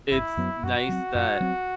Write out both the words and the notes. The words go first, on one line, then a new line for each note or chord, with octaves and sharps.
it's nice that
G1 E4
F#2 F#3 B3
F#2 F#4
F#3 C4
F#2 F#4
F#3 C4